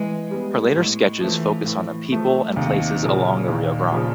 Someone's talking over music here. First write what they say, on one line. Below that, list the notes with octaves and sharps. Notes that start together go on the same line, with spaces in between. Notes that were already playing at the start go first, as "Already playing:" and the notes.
Her later sketches focus on the people and places along the Rio Grande.
Already playing: E3 G#3
G3 B3
A2 G#3
E3 F3 A3
A2
F3 A3
D#2 C3
A#2 C#3 F3
D#2
C#3 F3